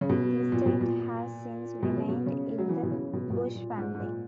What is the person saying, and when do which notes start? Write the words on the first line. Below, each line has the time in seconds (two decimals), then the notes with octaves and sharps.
The estate has since remained in the Bush family.
0.01 C#3
0.09 B2
0.52 A#2
0.66 B2
0.81 A#2
1.83 B2
1.96 C#3
2.09 B2
2.26 C#3
2.58 F#3
2.69 E3
2.83 B2
2.91 C#3
3.13 B2
3.30 B2
3.34 A#2
3.56 A#2
3.78 G#2
3.94 G#2
4.00 A#2